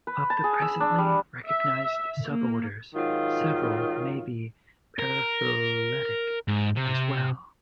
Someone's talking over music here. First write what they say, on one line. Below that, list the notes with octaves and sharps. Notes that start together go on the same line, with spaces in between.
Of the presently recognized suborders, several may be paraphyletic, as well.
B4
A5
G#4
E6
D4
G3
E5
A#3
G#2 D#3 F#3 F4
A#4
G#2
C3